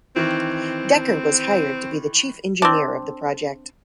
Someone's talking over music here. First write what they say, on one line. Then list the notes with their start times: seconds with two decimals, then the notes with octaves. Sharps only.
Decker was hired to be the chief engineer of the project.
0.16 D#3 E3 C4
2.62 C4 D4